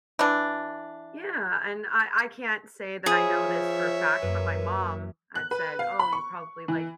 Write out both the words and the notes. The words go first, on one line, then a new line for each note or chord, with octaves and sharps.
Yeah, and I I can't say that I know this for a fact, but my mom had said, "Oh, you probably liked
E3 D4
F3 G#4 B4 C#5 E5
F#2 A#3 B4
F#6
B4
F5
B5
C#6
E3